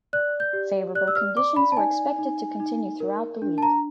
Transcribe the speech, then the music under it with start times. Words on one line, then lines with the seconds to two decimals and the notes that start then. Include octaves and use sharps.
Favorable conditions were expected to continue throughout the week.
0.13 D5 F#6
0.40 G6
0.53 G4
0.95 D5 F#6
1.08 E6
1.15 F6
1.36 D5 D6
1.56 B5
1.72 A5
1.77 D#4 G#5
2.18 D#4
2.60 D#4
3.00 A#4
3.42 D4
3.58 A5
3.63 A#5